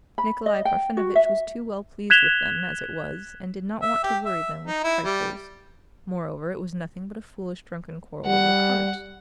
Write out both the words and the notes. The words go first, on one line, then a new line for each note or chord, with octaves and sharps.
Nikolay Parfenovitch was too well pleased with them, as it was, and did not want to worry them with trifles, moreover, it was nothing but a foolish, drunken quarrel over cards.
B5
D#5
G5
F#4
E5
F#6 G#6 B6 E7 F7 G7
E5
G4
E5
D#4
E4
G3
G3 F#5